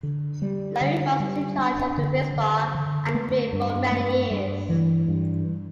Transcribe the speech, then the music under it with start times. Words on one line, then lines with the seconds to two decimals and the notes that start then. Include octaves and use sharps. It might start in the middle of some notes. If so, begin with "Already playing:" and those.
Laurie Ross was in charge of the Ritz Bar and Grill for many years.
0.03 D3
0.42 G3
0.81 D3
1.20 G3
1.59 D4
1.98 D3
2.36 D3
2.75 D3
3.14 A3
3.53 G2
3.91 A3
4.31 G2
4.69 E3
5.08 G2